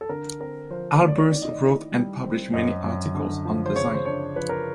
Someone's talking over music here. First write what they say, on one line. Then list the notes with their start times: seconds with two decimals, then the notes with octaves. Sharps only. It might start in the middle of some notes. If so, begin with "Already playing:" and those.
Albers wrote and published many articles on design.
0.01 A4
0.09 D3 A#4
0.40 C4 A#4
0.70 F3 C5
1.01 A3 C#5
1.08 D5
1.16 C#5
1.32 D#3 D5
1.42 D#5
1.52 D5
1.62 E4
1.92 G3
2.23 C4
2.53 F#2 D#5
2.84 F#2
3.15 D3
3.45 F3
3.66 C5
3.75 C#3 C#5
3.94 C5
4.05 D4 C#5
4.36 F3 B4
4.49 A#4